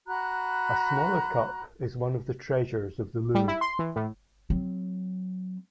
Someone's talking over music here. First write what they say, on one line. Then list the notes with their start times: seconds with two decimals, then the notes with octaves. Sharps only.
A smaller cup is one of the treasures of the Louvre.
0.07 F#4 A#5 B5 F#6
3.35 G3
3.48 E4
3.61 C6
3.79 E3
3.96 A2
4.50 F#3 C4